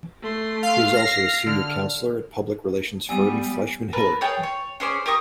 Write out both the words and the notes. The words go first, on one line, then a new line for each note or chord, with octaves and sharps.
He is also a senior counselor at public relations firm Fleishman-Hillard.
A3 C6
F5
F6 A#6 C7
D3 F6
G3 B3 G#5 E6 D#7
A#4 B4 A5
G#4 C#5 G5 A5
C#5
C#4 G#4 C5 D5
G4 A#4 C#6 D#6